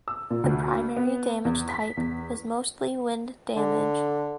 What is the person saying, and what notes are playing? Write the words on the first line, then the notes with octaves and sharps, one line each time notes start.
The primary damage type was mostly wind damage.
E6
A#2
D2
B3
E2
B6
E2
D3